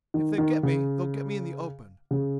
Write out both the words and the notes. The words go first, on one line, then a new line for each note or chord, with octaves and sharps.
If they get me, they'll get me in the open.
D#3
D#3
C#3
C#3